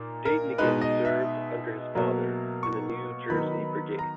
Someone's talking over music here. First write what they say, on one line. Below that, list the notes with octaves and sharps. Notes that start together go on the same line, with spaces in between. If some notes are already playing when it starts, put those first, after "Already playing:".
Dayton again served under his father in the New Jersey Brigade.
Already playing: A#2 A#3 D#4
A#4
B2 G#3 D#4 B4
D#5
E5
B2 F#3 A#3
C#6
D#3 F#3 B3 D#4 B5
A#5